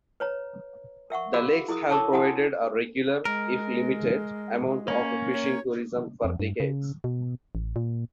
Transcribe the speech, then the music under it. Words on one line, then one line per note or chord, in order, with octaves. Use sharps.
The lakes have provided a regular, if limited, amount of fishing tourism for decades.
B4 C#5 A#5
A#4 E5 F#5 C#6
F#4 G#4 F5 B5 D6 E6
E4 G#4 A#4 D#6
A4 C#5 A5 C#6 D6 E6
E4 F#4 F#5 G#5 A#5 D#6
G#3 A#4
A#3 C#4
C#5
F2
G2
C#3
B2
A1
A#2